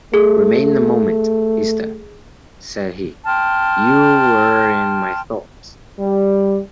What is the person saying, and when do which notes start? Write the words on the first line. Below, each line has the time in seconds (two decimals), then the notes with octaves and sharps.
"Remain a moment, Esther," said he, "You were in my thoughts."
0.14 A3 G#4
3.25 G5 A5 C6 F6
5.99 G3